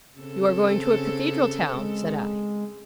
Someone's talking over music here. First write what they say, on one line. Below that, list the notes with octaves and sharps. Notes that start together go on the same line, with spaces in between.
You are going to a Cathedral town?' said I.
C#3 C4 A4
G#3